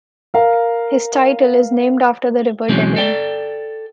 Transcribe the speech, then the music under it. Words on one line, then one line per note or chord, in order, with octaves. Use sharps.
His title is named after the River Deben.
A#4 F5
B2 E3 F#3 G#3 C4 C#4
A4 D5 G5